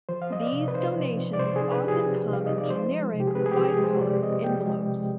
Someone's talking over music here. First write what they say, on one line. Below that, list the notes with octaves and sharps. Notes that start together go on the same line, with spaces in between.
These donations often come in generic, white-colored envelopes.
F3 C5
F5
C4 D#5
D5
C3
B4
D#4 C5
F3
C4
D5
C3 C5
G#4
D#4
B4
F3 G4
G#4
C4
C3
F5
D#4 D#5
D5
F3 C5
G#3
C3
G4
G#4
C4 B4
G#4
G4
F3
G#4
G#3
C5
C3 D5
C4 D#5
F3 G5
G#3
C3